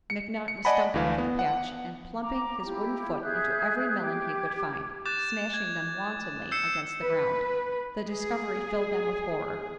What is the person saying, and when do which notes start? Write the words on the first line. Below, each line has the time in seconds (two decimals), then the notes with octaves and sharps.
McNutt was stumping over the patch and plumping his wooden foot into every melon he could find, smashing them wantonly against the ground. The discovery filled them with horror.
0.10 C#7
0.48 C#7
0.65 D5 D#5 F#5 G#5 A5 B5
0.94 D2 E3 F5
1.18 B3
1.39 F#5
2.19 A#5 D6
2.66 E4 F4 G4
3.22 G#4 E5 F#6 G6
4.00 G4 D6 G#6
5.05 D6 F#6 G6 A6 E7
5.54 G#6
6.52 E6 G6 C7 C#7 E7
7.03 B4
8.08 G#4